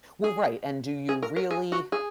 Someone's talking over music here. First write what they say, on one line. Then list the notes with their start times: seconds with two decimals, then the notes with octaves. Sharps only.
Well, right. And do you really
0.24 G#4
1.09 G#4
1.23 A#4
1.36 A#4
1.51 G#4
1.72 F#4
1.92 G#4